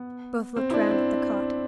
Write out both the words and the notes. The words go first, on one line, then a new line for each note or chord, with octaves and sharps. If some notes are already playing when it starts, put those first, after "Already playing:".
Both looked round at the cot.
Already playing: B3
C4
E4
D4
C4